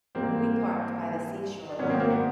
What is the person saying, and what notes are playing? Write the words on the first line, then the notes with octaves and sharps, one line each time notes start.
We parked by the seashore.
G#2 E3 G3 A#3 C4
D4
G#2 D#3 F#3 B3 C#4
A#3 C4
A#3 C4
B3